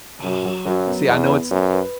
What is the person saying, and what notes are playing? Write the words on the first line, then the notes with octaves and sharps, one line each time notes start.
Oh, see, I know it's,
F#2 F#3
F#3
F#2 F#3
B3
E2 B3
B4
F#2 B4
B4